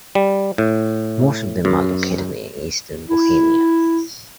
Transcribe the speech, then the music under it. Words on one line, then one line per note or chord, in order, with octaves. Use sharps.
Most of them are located in Eastern Bohemia.
G3
A2
F#2
E4